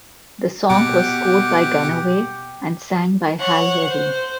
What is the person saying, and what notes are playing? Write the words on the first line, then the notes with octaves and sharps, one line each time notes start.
The song was scored by Gannaway and sang by Hal Levy.
B2 G4 F#5 D6
C#5 F#5
C5